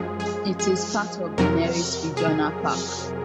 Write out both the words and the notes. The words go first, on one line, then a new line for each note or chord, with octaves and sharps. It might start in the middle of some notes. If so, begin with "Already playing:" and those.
It is part of the Neris Regional Park.
Already playing: F#2 F3 G#3 G#4
G#4
G#4
F2 C3 F#3 A#4
G#4